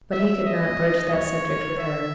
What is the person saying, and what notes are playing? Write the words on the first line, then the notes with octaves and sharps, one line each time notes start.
But he could not broach that subject with her.
E5
D#5
C#5
E5